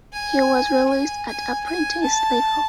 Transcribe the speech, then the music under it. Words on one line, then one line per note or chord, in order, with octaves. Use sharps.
He was released at apprentice level.
G#5
G#5
G#5
G#5
A5